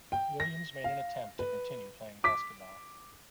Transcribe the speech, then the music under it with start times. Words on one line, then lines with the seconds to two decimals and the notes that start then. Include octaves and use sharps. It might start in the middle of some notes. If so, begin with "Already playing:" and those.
Williams made an attempt to continue playing basketball.
0.12 G5
0.40 A#6
0.84 F5
1.39 B4
2.24 D6 B6